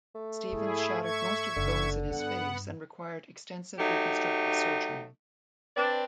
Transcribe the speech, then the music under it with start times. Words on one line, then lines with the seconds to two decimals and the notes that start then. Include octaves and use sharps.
Stevens shattered most of the bones in his face and required extensive reconstructive surgery.
0.15 A3
0.52 G#2 E3 E4 G#4
1.03 E5 C#6 G#6
1.56 F#1 D3
2.10 G2 B3 F#5
3.79 F#3 A3 D#4 G4
5.77 C4 D4 B4 D5